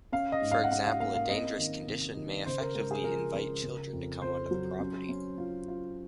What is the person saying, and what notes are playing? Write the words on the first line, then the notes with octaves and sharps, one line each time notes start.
For example, a dangerous condition may effectively invite children to come onto the property.
C#4 F5
D#5
G#2
F5
F#5
C#4 F5
F5
A#3 F5
F5
C4 D#5
D#3
C3
D#3
C#3 C5
A#4
G#3 A#4
G#4
F3 A#4
C#3
C#3
F2
F2 C5
F#3
C#4
C#4
F4
F4